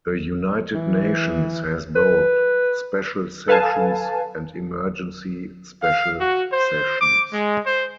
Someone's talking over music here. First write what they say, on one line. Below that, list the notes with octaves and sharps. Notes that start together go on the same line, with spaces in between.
The United Nations has both special sessions and emergency special sessions.
E3
B4
A4 B4 F5 G#5 A5
F5
F#4
C5
D6
G#3
C5